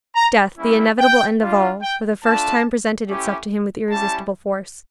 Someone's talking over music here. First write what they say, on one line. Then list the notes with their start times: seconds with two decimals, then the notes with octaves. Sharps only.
Death, the inevitable end of all, for the first time presented itself to him with irresistible force.
0.14 A#5
0.57 G3 A#3 C#4 E4
0.99 G5
1.40 G3 D4 F4
1.82 G5
2.24 A3 D4 F4 A5
3.08 A3 C#4 E4 G4
3.91 G3 C#4 E4 G4 A5